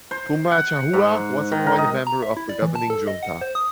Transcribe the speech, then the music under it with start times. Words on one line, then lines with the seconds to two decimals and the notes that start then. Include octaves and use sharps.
Pumacahua was appointed member of the governing junta.
0.11 C5
0.52 F#5
0.93 G#2
1.52 D#3
1.67 A#4
1.78 D#5
2.07 A#5
2.22 E5
2.37 E4
2.49 D5
2.62 E3
2.75 A5
2.90 A4
3.07 D#5
3.23 F#5
3.41 C5
3.55 D#6